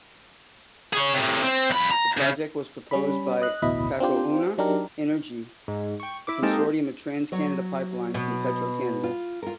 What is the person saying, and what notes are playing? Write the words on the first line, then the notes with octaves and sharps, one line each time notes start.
The project was proposed by "Cacouna Energy", a consortium of TransCanada Pipelines and Petro-Canada.
G#4 C#5
A2 C3
C4
F2 B5
A#5
C#3
G3 C#4 B5
D#5 F#6
A1 D2 B2 E4 D#5 B5
C4 D4 F4 G4 C5
F#3 D4 D#4 G4 A#4
G#2
G5 C#6
E4 D6
G#3 A#3 C4 D#4 G4 A4
F#3 C#5
B2
F4
F4 A#4